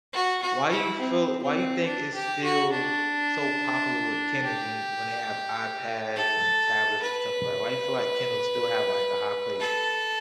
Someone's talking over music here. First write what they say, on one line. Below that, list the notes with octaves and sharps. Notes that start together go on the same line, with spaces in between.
Why you feel why you think it's still so popular with Kindles when it when they have iPads and tablets and stuff li why you feel like Kindle still have, like, a high place?
F#4
F#4
E4
C4
C4
D4
G4
F#4
D4
G4
A4
B4
A4